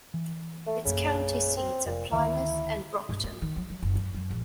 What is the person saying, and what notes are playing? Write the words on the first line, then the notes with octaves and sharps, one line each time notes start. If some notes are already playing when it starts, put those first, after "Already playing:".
Its county seats are Plymouth and Brockton.
E3
A3
A#1 F#2 C#3 A#3
C4
F1 A#2
D2 D#3 E4
G2
A#3
D#3
F#3
F#3
F#1
F#2
F#2
A#1